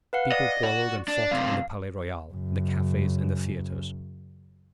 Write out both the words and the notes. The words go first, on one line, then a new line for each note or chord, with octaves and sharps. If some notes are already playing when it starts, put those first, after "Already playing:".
People quarrelled and fought in the Palais Royal, the cafes, and the theatres.
B4 F5 F#5
D5 D#5
F#4
D4
F#2 C3 F5
F#2 C#3